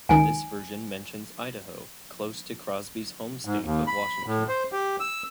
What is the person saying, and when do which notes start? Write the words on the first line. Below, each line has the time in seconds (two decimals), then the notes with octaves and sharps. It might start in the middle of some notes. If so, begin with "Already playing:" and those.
This version mentions Idaho, close to Crosby's home state of Washington.
0.09 C#2 D#3 G#5
3.45 G#2
3.65 D#2
3.87 B5
4.26 A2
4.49 C5
4.72 G4
5.00 E6